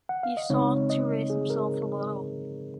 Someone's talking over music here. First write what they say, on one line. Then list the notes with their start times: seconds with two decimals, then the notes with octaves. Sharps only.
He sought to raise himself a little.
0.09 F#5
0.23 F5
0.37 D#5
0.50 C#3 G#3 C4 D#4 C#5
0.90 D#5
1.30 G#4
1.50 A#4